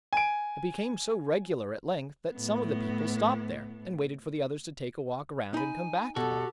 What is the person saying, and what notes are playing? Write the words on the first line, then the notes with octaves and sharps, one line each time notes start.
It became so regular at length, that some of the people stopped there, and waited for the others to take a walk round, and come back to them.
G#5 D7
A2 B3
D#4 G#5 B5
B2 F#4 G4 A4